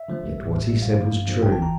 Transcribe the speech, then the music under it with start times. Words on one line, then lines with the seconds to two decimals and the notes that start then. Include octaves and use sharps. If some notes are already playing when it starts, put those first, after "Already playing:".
Yet what he said was true.
Already playing: E5
0.08 D3 F3 A3
0.23 A1
0.38 A2 G3
0.53 A1
0.68 A2 G3
0.82 G2 F5
0.98 D3 F3 A#3
1.13 G2
1.28 D3 F3 A#3
1.43 G1 G5
1.52 A5
1.58 E3 A#5